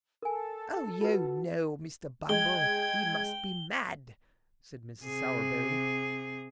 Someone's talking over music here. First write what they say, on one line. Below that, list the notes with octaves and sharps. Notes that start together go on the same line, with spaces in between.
'Oh, you know, Mr. Bumble, he must be mad,' said Mrs. Sowerberry.
A4 A#4 G#5
F4 F#4 B4
G#3 G5 G#6 G7
C3 G#4